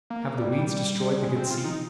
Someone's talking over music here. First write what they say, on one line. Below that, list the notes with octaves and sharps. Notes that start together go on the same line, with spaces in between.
"Have the weeds destroyed the good seed?"
A#3
G3
G3
G3
G#3
C4
F4
D#4